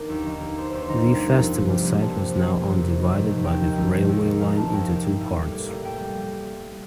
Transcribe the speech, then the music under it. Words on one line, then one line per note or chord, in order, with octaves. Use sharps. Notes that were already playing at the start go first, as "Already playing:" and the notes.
The festival site was now on divided by the railway line into two parts.
Already playing: D#3 A#3 D4 A#4
D#2
D#3
A#3
D4 C5
D#2 C5
C6
D#3 A#5
G3
A#3
F2
C3
G3
A#3
F2 A5
C3
G3
A#3
F2
C3
D#3
F1
F1
D#2 G5
D#3
F1
F1
D#2
D#3
F1 F5
F1 A5
D#2 G5
A#3
A2
A2
G3
A#3
A2
A2 G5
G3